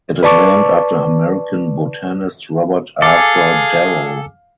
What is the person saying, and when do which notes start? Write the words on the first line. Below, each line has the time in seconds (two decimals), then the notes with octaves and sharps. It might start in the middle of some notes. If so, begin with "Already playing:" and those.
It is named after American botanist Robert Arthur Darrow.
0.23 B4 D5 A5 C#6 D6
3.02 G#4 A4 F5 G#5 D6